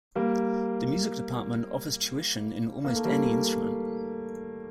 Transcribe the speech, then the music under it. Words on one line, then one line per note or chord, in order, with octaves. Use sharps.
The Music department offers tuition in almost any instrument.
G3 A#3
A#3
A3
G3 A#3